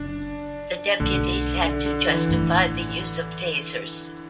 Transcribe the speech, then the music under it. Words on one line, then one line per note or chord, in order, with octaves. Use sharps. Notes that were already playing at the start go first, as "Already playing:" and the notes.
The deputies had to justify the use of Tasers.
Already playing: F#1 F#2 C#3 D4
B1 B2 D3 A3 D4
D3
D3
E3
A1 G2 E3 A3